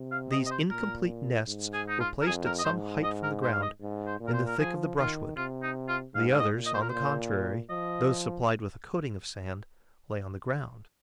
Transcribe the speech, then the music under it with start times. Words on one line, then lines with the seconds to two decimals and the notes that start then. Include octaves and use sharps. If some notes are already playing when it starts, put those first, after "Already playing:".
These incomplete nests were placed at some height from the ground, in the thick of the brushwood; the others, on the contrary, those supplied with a coating of sand, lay on the ground.
Already playing: C3
0.11 F5
0.31 D#5
0.47 D#5
0.51 C5
0.70 A#2 A#4
1.48 G#2
1.74 G#4
1.88 D#4
2.00 F4
2.21 A#4
2.26 F2 G#4
2.45 A#4
2.59 D#5
2.65 G#2 C5
3.03 D#5
3.23 A#4
3.42 C5
3.52 F5
3.62 D#5
3.81 G#2
4.07 C5
4.20 A#2
4.27 A#4
4.33 C5
4.47 A#4
4.59 F3 G#4
4.98 D#3 F4
5.37 C3 F4
5.62 D#4
5.88 F4
6.14 G#2 F5
6.32 F5
6.40 D#5
6.53 A#2
6.66 D#5
6.74 C5
6.82 A#4
6.89 A#2 C5
7.70 F3 D#5